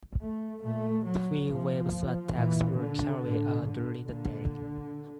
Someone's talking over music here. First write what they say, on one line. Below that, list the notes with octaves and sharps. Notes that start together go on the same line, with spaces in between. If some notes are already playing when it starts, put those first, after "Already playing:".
Three waves of attacks were carried out during the day.
A3
A#2 A3
F#3
A#2 F3
A#2 E3
D3
A2
D3
A#2 D3